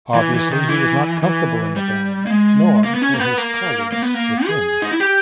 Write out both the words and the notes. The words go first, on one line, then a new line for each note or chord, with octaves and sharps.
Obviously he was not comfortable in the band, nor were his colleagues with him.
E3
E3
D#3
E3
E3
G3
A#3
G#3
A#3
B3
C#4
A#3
B3
A#3
A#3
B3
A#3
G#4
D#4
E4
G4